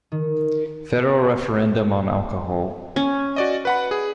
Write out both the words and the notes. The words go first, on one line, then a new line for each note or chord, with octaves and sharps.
Federal Referendum on Alcohol.
D#3
C#4
F#4 D5 D#5
B4 F#5 B5
G#4